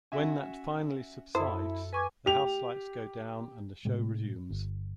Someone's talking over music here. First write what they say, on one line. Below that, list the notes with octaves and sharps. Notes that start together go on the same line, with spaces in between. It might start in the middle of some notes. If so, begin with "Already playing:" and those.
When that finally subsides, the house lights go down and the show resumes.
C#4 F#4 E5 G#5
F#2 E4 A4 C5 D#6
B4 G#5 C#6 D6
G4 F7
A2 C3 G#3
G1